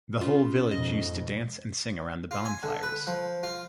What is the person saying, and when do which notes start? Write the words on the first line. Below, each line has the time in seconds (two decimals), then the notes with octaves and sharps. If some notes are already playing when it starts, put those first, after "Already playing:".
The whole village used to dance and sing around the bonfires.
0.21 C#3 F4
0.71 F2 G#2 B2 D#5
2.31 F4
2.45 G#5
2.63 D3
2.83 B4
3.07 F3
3.43 F4